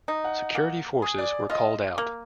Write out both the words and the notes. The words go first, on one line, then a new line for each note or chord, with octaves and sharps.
Security forces were called out.
D#4
F#5
A#3 F#5
G#4
D5
F4 D#5
A#3